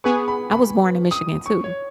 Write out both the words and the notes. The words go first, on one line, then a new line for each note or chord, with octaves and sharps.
I was born in Michigan too.
B3 G#4 B4 C#6
B5
B5
D#6
C#6
C#5